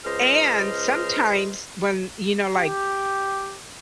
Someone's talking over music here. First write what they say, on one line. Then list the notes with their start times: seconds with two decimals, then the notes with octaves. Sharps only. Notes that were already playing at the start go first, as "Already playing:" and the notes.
and sometimes when, you know, like,
0.04 C#2 C5 D#5 C6 F6
2.54 G4